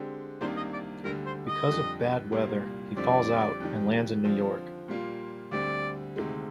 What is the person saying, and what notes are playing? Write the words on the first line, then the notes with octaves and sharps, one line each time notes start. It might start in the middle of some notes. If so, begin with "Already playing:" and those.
Because of bad weather, he falls out and lands in New York.
Already playing: D3 G#3 C4 G4
C2 C3 D#3 A#3 D4 C5
D#5
D5
D2 D3 G3 A#4
C5
D#5
F2 D3 G3
C2 A#2 G3 A#3
F2 D3 G3 C4 G4 D5
F2 D#3 G3
D3 F3 C4
A#2 G3 A#3 F4
D2 D3 G3 C4 D5
D2 C3 D#3 G#3